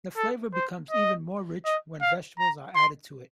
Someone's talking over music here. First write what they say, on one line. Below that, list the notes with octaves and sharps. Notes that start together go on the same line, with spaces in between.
The flavour becomes even more rich when vegetables are added to it.
A4
C5
D#5
D#5
F5
A#5
C6